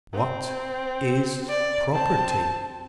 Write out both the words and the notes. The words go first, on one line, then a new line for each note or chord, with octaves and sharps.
What is property?
C4
D5
C4 A5